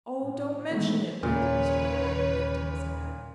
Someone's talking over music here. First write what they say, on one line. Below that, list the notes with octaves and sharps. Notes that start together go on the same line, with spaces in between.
"Oh, don't mention it!" laughed Mr. Aladdin, lifting his hat.
A2
B2 D#3 E3 G#3 A3 B3
D#1 A#2 C#3 B4 C#5